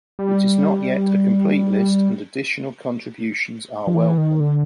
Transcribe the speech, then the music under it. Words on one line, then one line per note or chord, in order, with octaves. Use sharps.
It is not yet a complete list and additional contributions are welcome.
G3
F3
E3
D#3
D3